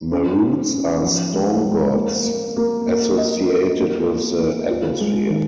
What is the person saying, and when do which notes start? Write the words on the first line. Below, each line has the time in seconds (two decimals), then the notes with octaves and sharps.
Maruts are "storm gods", associated with the atmosphere.
0.12 C#4
0.42 C#4
0.73 C#4
1.03 F3
1.33 G#3
1.65 G#3
1.95 A#3
2.25 A#3
2.56 A#3
2.87 A#3
3.17 D#5
3.47 A#4
3.78 A#3
4.09 A#3
4.38 A#3
4.70 F4
5.00 G#3
5.30 D#3